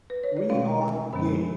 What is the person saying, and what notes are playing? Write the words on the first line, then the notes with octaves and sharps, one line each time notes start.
We are gay.
B4
C#5
D5
B2 G#3 C#4 F5
G#5
F#2 D3 F3 G#3 C#4 B5